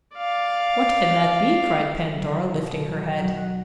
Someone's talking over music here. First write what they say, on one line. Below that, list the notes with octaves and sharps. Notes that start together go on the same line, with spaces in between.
"What can that be?" cried Pandora, lifting her head.
D5 F5
F#3
B1
F#3
F#3
F#6